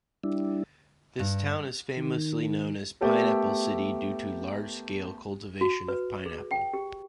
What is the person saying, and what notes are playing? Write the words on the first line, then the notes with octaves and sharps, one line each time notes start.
This town is famously known as "Pineapple City" due to large-scale cultivation of pineapple.
G3 D4 E4
G2
D#3
A3 B3 G4 A4 A#4
F#4
B4
G#4
G5
G4